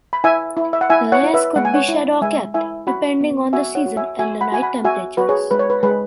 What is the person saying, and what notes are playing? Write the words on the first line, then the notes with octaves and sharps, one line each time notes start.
Layers could be shed or kept, depending on the season and the night temperatures.
B5
E4 E5 G#5
E4
E5
F#5
E4 E5 G#5
C#5 F#5
E4
B4 E5
G#3 F#5
G#5
C#5 F#5
E4
G#3 E5 G#5
E4 E5 G#5
F#4 F#5 B5
B3
F#4 E5 G#5
C#5 F#5
F#4
E5 G#5
F#4 E5 G#5
F#5 B5
F#4 G#5
F#5 B5
F#4 E5 G#5
F#4 B4
G#4 C#5
G#3 B4
C#5
B4
G#3 B4